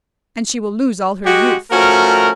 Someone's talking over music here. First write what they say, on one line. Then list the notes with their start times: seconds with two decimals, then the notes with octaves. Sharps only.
"And she will lose all her youth."
1.25 G#3 F#4 G4
1.71 F3 A3 C#4 F#4 A#4